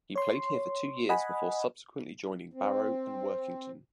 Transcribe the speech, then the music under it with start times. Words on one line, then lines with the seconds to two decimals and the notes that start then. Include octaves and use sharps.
He played here for two years before subsequently joining Barrow and Workington.
0.16 C#5 C6
1.09 D#5 F#5 G#5 B5
2.54 C4